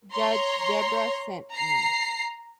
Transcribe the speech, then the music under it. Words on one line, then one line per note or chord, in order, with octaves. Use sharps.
Judge Debra sent me.
C#5 A#5 C6
A#5 C7